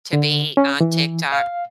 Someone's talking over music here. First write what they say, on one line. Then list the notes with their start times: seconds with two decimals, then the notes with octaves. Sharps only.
to be on TikTok.
0.13 D3
0.57 C#4
0.81 E3
1.32 F5